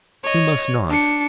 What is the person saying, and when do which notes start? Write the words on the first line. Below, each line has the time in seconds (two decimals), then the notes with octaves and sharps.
You must not.
0.24 C#5 D#5
0.90 D4 C#7